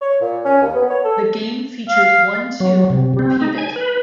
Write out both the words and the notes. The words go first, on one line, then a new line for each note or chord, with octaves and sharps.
The game features one tune repeated.
C#5
A#2
C#4
D#2
B3
C#5
A4
F5
F#3
C3
C4
D#4
G#5
B4